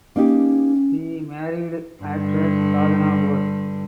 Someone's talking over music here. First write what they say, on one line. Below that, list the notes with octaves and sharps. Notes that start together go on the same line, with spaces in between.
He married actress Sadhana Bose.
A#3 C#4 D#4 G4
G2 D3